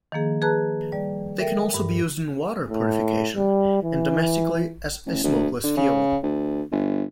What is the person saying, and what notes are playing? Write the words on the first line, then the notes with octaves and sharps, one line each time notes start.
They can also be used in water purification and domestically as a smokeless fuel.
D#3 F3 A#3 G#4
G#4 B4 A5 A#5 F#6
G3 D5
A4 A#4 E5 G5
G2
A2
G3
E3
A1
D2
D3
C#3
D2
G1